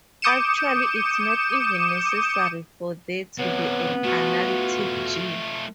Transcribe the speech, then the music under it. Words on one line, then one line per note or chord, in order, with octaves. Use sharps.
Actually, it's not even necessary for there to be an analytic "g".
D6 D#6 G6 C#7 D#7 E7
C3 E3 B3 C#5
A3 F4 F#4